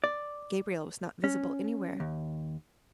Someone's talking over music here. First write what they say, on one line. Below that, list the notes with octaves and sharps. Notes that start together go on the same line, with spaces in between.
Gabriel was not visible anywhere.
D5
C#4
D#2